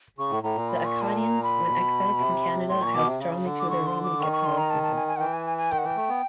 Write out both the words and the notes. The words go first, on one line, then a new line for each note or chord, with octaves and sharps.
The Acadians, when exiled from Canada, held strongly to their Roman Catholicism.
C#3 C#6
A2
A2 A#5
A#2
B5
C#6
A5
A#5
B5
B2
C3
A2 C6
A#2 C#6
B2 D6
C3
C#3
D3
D6
C#6
C6
D6
D#3 C#6
C#6
C6
A#5
A5
A5
G#5
G#5
F#5
E3 G5
G#5
G#5
G#5
D#3 G5
F#5
E3 G5
A3
B3